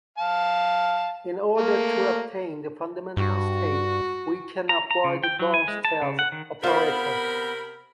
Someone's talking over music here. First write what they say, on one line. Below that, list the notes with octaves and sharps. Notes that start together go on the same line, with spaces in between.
In order to obtain the fundamental state, we can apply the down stairs operator.
F5 A5
A3 A#3
G2 F#4
A#5
A#5
C#3
G5
F#3
G#5
G#3
A5
C#3
F#5
D#3
C3 B3 F4 A#4 C5 F#5 B5